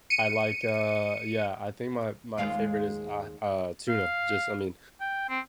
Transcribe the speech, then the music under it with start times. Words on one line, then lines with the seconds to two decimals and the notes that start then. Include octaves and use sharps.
I like, uh yeah, I think my my favorite is, uh uh, tuna, just I mean,
0.10 C#7 D#7
2.38 D#2 G#3 F4
3.89 F5
5.01 G5
5.29 C4